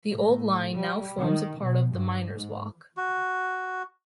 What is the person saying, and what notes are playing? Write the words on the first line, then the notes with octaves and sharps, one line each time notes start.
The old line now forms part of the Miners Walk.
A2
G3
D#3
B2
G2
G#2
F#4